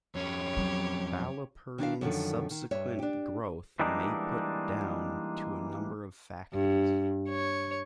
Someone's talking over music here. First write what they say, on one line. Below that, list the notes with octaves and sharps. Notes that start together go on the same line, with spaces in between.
Ballyporeen's subsequent growth may put down to a number of factors.
F2 C#4 G4 C#5
F#3 C4
D#3 D4 E4 F5
F#2 D3 D#3 F3 A4
D#3
G2 C#5 E5
D4 G4
E3 G3 G#3 A#3 D4 D#4
G2
C#5